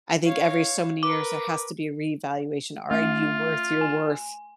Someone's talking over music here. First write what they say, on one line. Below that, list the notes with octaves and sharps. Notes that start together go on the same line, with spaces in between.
I think every, so many years there has to be a reevaluation Are you worth your worth
C#5 F5
A#4 B4 D6
A3 F4 E5
G#5